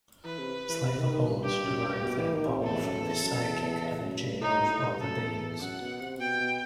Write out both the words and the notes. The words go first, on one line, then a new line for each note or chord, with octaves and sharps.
"Slaver Lords" derive their power from the psychic energy of other beings.
E3 B4
C3
E3
C3
D#3
D#3
G2
G2 G4
F#2
G2
B2
E3
D#3
C3
E2 A4
F#2
E2
F#2
E2
E2
E2
F#2
G2
A2 D#4
G2
B2
A2
G2
F#2 A4
E2
E2
F#2 F#5
B2
C3
B2 G5
B2